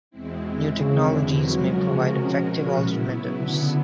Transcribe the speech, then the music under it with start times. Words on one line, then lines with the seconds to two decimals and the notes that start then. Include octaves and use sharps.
New technologies may provide effective alternatives.
0.11 E2 B2 G#3 C4 E4
0.76 C#3
1.10 D3
1.43 F3 F#3 G#3 C#4 F#4 A#4
1.76 C#3
2.09 C3
2.43 B2
2.76 A#2 C#3 F#3 B3 E4
3.09 B2
3.42 D3